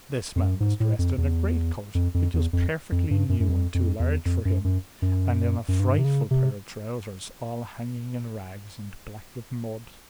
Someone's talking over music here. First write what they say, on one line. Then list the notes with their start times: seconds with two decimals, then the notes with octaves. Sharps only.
This man was dressed in a great-coat which was perfectly new and too large for him, and in a frightful pair of trousers all hanging in rags and black with mud.
0.36 F2
0.41 F#2
0.60 G#2
0.80 A2
0.99 F2
1.18 E2
1.95 F2
2.14 F2
2.34 E2
2.53 F2
2.92 F2
3.11 G2
3.29 F#2
3.40 F#2
3.49 F2
3.74 F2
3.99 E2
4.25 F2
4.45 F#2
4.64 F#2
5.02 F#2
5.68 F#2
5.80 G2
5.99 C3
6.04 C#3
6.31 C3